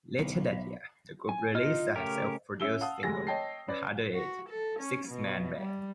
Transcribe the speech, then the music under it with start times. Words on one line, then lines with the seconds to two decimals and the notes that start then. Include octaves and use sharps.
Later that year, the group released a self-produced single, the harder-edged "Six Man Band".
0.19 B1
1.29 G#5
1.55 D#4 F4 D#5 F6
1.96 C#3 A3 C#4 G4 A#4
2.60 C#4 E5 E6 G7
2.81 F5 F#5 A5 D#6
3.03 F1 D2 G3 G#3 G#5 A#6
3.27 C#5 D#5 G5 A5 C7
3.68 C#4 B4 D5
4.15 F#4
4.49 A4
4.79 C#4
5.08 B2
5.59 G3